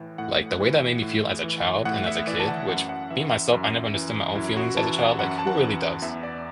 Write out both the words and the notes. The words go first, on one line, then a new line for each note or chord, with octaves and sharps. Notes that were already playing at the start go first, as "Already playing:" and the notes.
Like, the way that made me feel as a child, and as a kid, which, being myself, I never understood my own feelings as a child, like, who really does?
Already playing: A2 E3
A2 F#5
E3
A2
E3
A2 F#5
E5
E3 D5
A5
F#5
F#2 F#5
F#5
E3 E5
E5
F#2
E3
F#2 E4
F#4
E3 A5
F#5
F#2 F#5
A5
F#5
E3
E2 E5
D5